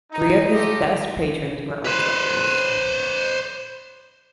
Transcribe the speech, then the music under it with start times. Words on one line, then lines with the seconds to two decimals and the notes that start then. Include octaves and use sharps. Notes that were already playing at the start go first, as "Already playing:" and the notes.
Three of his best patrons were art collectors.
0.12 D#4
0.51 A3 D#4 F4 G4 D#5
1.85 B4 C5